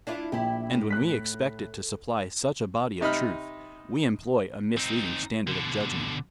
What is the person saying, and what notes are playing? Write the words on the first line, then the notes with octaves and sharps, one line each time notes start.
And when we expect it to supply such a body of truth we employ a misleading standard of judgment.
D4 E4 F4
A#1 E4 G4
A2
F#6 B6
C3 D#4 D#5 B5 F6
C4 D#4
B2 D3